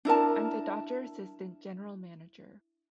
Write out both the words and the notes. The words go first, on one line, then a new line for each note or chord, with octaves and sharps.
I'm the Dodger assistant general manager.
D4 E4 A#4 A5